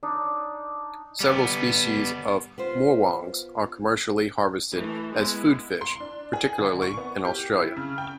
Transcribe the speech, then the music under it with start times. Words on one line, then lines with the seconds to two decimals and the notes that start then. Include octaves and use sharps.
Several species of morwongs are commercially harvested as food fish, particularly in Australia.
0.03 D4 D#4
1.20 G3 B3
2.58 B3 F4 C5
4.73 E3 A3
5.13 G#3 B3 E4
5.81 C6
6.00 D4
6.33 G#4
6.58 D3
6.82 C#6
6.98 B3
7.25 G4
7.54 E4
7.76 C#3
7.98 G5